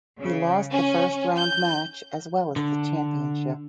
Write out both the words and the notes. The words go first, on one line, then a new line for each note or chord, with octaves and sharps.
He lost the first round match as well as the championship.
C#3
C#4
G6
D3